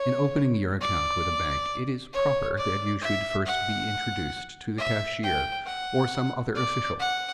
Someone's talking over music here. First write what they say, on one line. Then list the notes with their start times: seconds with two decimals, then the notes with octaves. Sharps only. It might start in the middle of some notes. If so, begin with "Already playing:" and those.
In opening your account with a bank it is proper that you should first be introduced to the cashier, or some other official.
Already playing: C#5
0.81 D5
2.13 C#5
2.58 D5
3.01 E5
3.46 F#5
4.78 E5
5.23 G5
5.66 F#5
6.55 D5
6.99 F#5